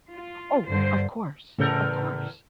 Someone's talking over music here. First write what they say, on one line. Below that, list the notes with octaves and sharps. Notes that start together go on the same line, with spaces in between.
Oh, of course, of course.
F4
G2 D3 C5
E2 A2 C#3 A4 A#4 G6